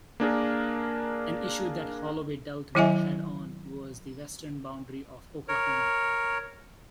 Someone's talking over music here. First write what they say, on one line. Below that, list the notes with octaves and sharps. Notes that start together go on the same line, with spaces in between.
An issue that Holloway dealt with head on was the western boundary of Oklahoma.
A#3 D4 G#4 A#4
D#3 F#3 E4 D#5 E5 G#5
A#4 C#5